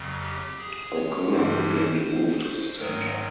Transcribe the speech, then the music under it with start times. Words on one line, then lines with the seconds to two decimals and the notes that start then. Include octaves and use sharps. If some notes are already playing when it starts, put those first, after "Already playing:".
O'Connor began to move to the center.
Already playing: F2 C#3 F#3
0.22 G4
0.58 G#4
0.94 C#5
1.31 G2 E3 G3 C5
2.04 C5
2.40 C5
2.78 G#2 D#3 F#3 A#4